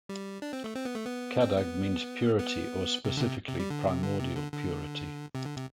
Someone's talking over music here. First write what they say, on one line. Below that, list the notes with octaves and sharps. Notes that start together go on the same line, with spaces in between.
"Kadag" means "purity" or specifically "primordial purity".
G3
D4
C4
A3
C4
B3
A3
B3
C4
B3
B3
C3
D3
C3
C3
G3
D3
C3
D3
C3
D3
D3
C3
D3
C3